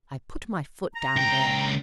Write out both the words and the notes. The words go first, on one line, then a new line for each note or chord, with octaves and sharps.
I put my foot down there.
A#5
C#2 G5